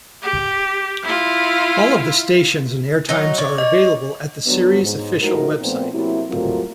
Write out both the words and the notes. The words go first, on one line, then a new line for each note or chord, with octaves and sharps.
All of the stations and airtimes are available at the series official website.
G4
E4 F4
F#3 D#4
C#5 D5
D#5
D3 F#3 G3 B3
G#2
A2 F3 D#4 E4 F#4 A#4
A#2 F3 A3 B3 C4
C3 F#3 A#3 E4
F#3 G3 A3 A#3 C4 F4